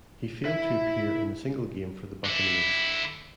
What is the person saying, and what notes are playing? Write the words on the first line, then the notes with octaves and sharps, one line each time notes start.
He failed to appear in a single game for the Buccaneers.
E4 E5
D3 E4